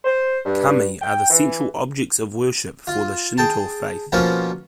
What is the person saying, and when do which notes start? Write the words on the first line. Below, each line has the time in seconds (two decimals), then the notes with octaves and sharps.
Kami are the central objects of worship for the Shinto faith.
0.04 C5
0.46 G2
1.02 G5
1.30 E3
2.87 F4
3.38 G#4 G5 A5
4.12 B2 F3 A#3 C#4 F4